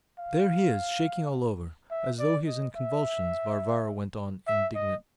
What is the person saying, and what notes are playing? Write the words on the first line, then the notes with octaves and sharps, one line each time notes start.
"There he is shaking all over, as though he is in convulsions!" Varvara went on indignantly.
F5
E5
D5
D#5
E5
E5
D#5